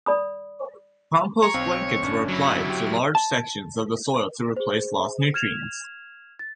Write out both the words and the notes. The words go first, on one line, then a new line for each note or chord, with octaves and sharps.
Compost blankets were applied to large sections of the soil to replace lost nutrients.
D5 B5 D#6
C#5 A#5
B1 C4 F5
G1 C#4 D4
F#3 E4
G4
A5
G#4 C5
F6 G#6 E7 F7
A6